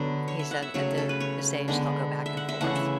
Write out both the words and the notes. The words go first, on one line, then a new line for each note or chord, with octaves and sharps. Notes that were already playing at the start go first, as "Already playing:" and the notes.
He said, "At this age they'll go back and forth."
Already playing: D3 F#3 B3
C#5
E5
F#5
E5
C#3 F#3 A3 C#5
A4
B4
C#5
D3 G#3 B3
E5
F#5
E5
C#3 E3 A3 F#5
E5